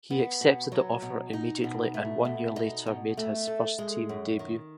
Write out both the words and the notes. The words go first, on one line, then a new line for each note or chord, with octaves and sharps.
He accepted the offer immediately and one year later made his first team debut.
B3
B2
F#3
B2
D#4
B2
A3
B2
D#4
B2
A3
A4
G#3
F#2
D#3